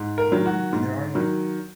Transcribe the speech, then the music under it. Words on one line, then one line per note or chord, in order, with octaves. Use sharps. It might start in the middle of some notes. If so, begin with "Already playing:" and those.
um, and there are, like
Already playing: G#2
A#4
D#3 F#3
F#4
G#2
D#3 F#3